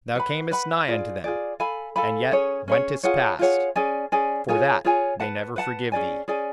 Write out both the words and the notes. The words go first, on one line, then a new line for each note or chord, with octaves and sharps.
Thou camest nigh unto them, and yet wentest past: for that they never forgive thee.
B4 F#5 B5
B4 F#5 B5
F4 G#4 D5
F4 G#4 D5
A4 F5 G#5 B5
A4 F5 G#5 B5
C#4 G#4 C#5
C#4 G#4 C#5
F4 G#4 C#5 F#5
F4 G#4 C#5 F#5
C#4 G#4 D5 G#5
C#4 G#4 D5 G#5
F4 G#4 C#5 G#5
F4 G#4 C#5 G#5
B4 F#5 A5
B4 F#5 A5
C#4 G#4 D5 G#5
C#4 G#4 D5 G#5